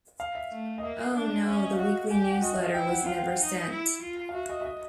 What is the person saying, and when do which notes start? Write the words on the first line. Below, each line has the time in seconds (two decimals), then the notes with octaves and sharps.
Oh no, the weekly newsletter was never sent!
0.20 F5
0.35 E5
0.52 A3
0.78 D#5
0.83 A#3 E5
1.15 D4
1.46 C#4 E5
1.62 D#5
1.73 F5
1.78 F#4 F#5
2.10 G4 G#5
2.22 G5
2.32 F#5
2.42 F#4 D#5
2.53 E5
2.64 F5
2.74 E4 G5
2.90 F#5
3.06 F4 F5
3.16 G5
3.28 F#5
3.39 D#4
3.70 E4
4.02 F4
4.29 F5
4.33 F#4 E5
4.49 D#5
4.61 E5
4.65 D#5